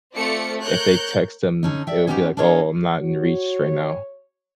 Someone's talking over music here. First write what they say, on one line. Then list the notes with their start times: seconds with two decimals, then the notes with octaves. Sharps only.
if they text them, it will be like, "Oh, I'm not in reach right now,"
0.14 A3 C4 F4 D5 C#7
0.61 A#4 C#5 F#6 G6
1.63 D3 C#4 D#4
1.87 D5 E5 G5
2.07 B3 C#4 D#4 F4 G4 C5
2.37 D4 E4 A#4 C#5 D#5
3.01 F#4 C#5